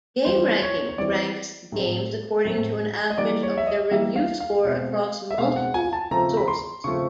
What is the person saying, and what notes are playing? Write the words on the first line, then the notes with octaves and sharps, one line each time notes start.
GameRankings ranks games according to an average of their review score across multiple sources.
E3 G3 C4 C5
C#5
C#5
E3 G3 C4 D5
A2 F#3 A3 C4
A2 F#3 A3 C4
D#5
E3 G3 A#3 D5
C#5
E5
D#5
E3 G3 A#3 E5
F5
F5
B2 G#3 C4
E5
B2 G#3 C4 F5
F#5
G#5
A5
C#3 F3 A3 C4 A#5
B5
C6
C#3 F3 A3 C4 C#6